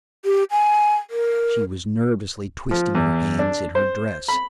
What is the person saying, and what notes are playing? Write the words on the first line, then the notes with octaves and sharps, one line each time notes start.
She was nervously twisting her hands in her dress.
G4
G#5
A#4
F3
E2
D4
C5
B5